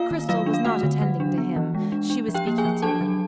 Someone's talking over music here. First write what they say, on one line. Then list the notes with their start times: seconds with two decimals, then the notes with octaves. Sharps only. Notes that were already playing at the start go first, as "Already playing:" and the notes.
Cristel was not attending to him, she was speaking to me.
Already playing: A#3 F4 F5
0.11 D#3
0.29 F#3 F4 F5
0.46 D4
0.54 F5
0.65 A3 F#4 F#5
0.83 D3
1.02 F#3
1.20 D4
1.38 B3
1.56 E3
1.75 G#3
1.92 D4
2.10 D4
2.28 F3
2.34 G4 G5
2.47 A#3
2.58 G#4 G#5
2.65 F3
2.82 D4 A4 A5
3.01 F#3